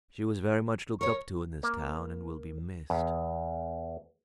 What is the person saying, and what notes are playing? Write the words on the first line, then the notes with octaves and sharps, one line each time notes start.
"She was very much looked up to in this town, and will be missed."
A#4 C#5 C#6
A#3
E2